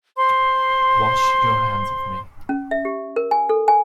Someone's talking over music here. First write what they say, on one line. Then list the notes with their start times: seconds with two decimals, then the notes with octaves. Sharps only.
Wash your hands of me.
0.17 C5 C6
2.49 C#4
2.71 E5
2.85 G4
3.16 A#4
3.31 G#5
3.49 A4
3.68 G#5